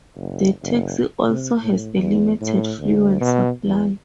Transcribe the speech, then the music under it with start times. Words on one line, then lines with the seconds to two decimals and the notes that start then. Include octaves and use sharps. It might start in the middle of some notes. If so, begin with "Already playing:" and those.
The taxi also has a limited fuel supply.
0.16 F#1
0.62 F#1
1.29 C3
1.61 A2
1.96 E2
2.41 A2
2.78 D2
3.21 B2
3.64 E2